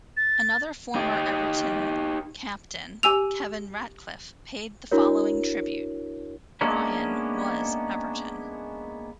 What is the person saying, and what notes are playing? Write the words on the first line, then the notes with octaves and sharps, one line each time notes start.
Another former Everton captain, Kevin Ratcliffe, paid the following tribute: Brian was Everton.
A6
D#4 G4
G4 G#5 E6 F7
D4 E4 F#4 A#4 C#5
G#3 A#3 B3 C#4 D4 E4